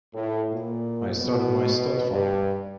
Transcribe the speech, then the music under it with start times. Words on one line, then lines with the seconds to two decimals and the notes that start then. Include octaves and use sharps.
I started my stud farm.
0.15 A2
0.53 A#2
1.17 B2
2.11 G2